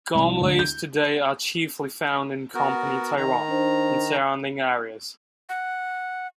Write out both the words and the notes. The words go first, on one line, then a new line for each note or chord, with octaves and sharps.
Gormleys today are chiefly found in Company Tyrone and surrounding areas.
C2
D2
G6
B3 F#4 A#4
D#3 A#5
D4 C5
F#5